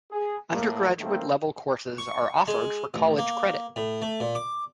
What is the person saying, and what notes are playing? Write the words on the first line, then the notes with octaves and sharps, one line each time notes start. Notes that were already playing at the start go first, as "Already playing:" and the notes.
Undergraduate-level courses are offered for college credit.
G#4
A2 A#3
A2 D#3 E3 A3 A#3 C4
C#6
G#3
A1
A#3
A2
A3
A#2
D6